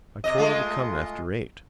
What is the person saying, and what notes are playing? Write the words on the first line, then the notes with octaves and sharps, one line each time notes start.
I told her to come after eight.
C3 D#5
G#3 A3 F4